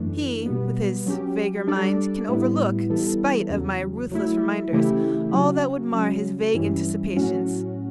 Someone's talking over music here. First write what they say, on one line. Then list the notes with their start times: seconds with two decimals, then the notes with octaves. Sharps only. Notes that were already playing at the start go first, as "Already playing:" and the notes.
He, with his vaguer mind, can overlook--spite of my ruthless reminders--all that would mar his vague anticipations.
Already playing: F#2 E3 A3 D4
0.46 B2 G3 B3
1.06 F#3 C#4 G4
1.68 G3 D4 A4 D5
2.29 A2 G3 B3 E4
2.90 E3 G3 B3 E4 A4
3.50 E2 C#3 F#3
4.11 F#3 A3 E4
4.72 C#3 E3 A3 E4 G4
5.33 C#3 F#3 C#4 F#4
5.94 C#3 F#3 C#4
6.54 G2 E3 G3 C#4 E4
7.16 A2 F#3 C#4 F#4